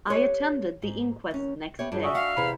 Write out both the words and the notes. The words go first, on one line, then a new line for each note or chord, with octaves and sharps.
I attended the inquest next day.
G4 B4 C#5
G#2
D#2 C#4
B3 G4 C#5 E5
G2 F4 G#4 C#5
D4 F#4 E5 G#5 C#6 D#6
F5 F#5
E2 C3 E4 A#5 B5